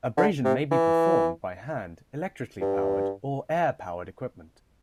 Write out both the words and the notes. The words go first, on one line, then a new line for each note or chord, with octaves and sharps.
Abrasion may be performed by hand, electrically powered, or air powered equipment.
D3
C3
E3
G2